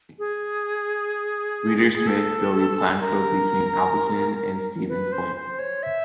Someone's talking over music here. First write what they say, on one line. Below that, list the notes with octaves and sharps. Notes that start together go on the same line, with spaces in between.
Reeder Smith built the plank road between Appleton and Stevens Point.
G#4
G#4
A4
A#4
B4
C5
C5
C#5
E5